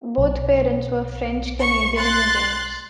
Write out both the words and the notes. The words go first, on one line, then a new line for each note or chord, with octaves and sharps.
Both parents were French-Canadian immigrants.
B1
C#6
C6 F#6 A6